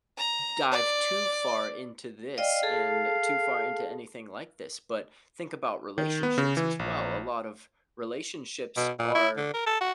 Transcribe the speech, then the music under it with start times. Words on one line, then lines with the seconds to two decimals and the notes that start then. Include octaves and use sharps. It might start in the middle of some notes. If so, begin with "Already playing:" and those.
dive too far into this and too far into anything like this but, think about relationships as well. A lot of relationships are
0.18 A#5
0.72 D5
2.38 D5 D#5 F5 G5
2.63 G#4 A4 A5
5.98 D#3
6.23 B3
6.38 C#3
6.57 E3
6.79 A#1
8.77 B2
8.99 A#2
9.15 E4
9.37 D3
9.54 A#4
9.66 A4
9.81 F#4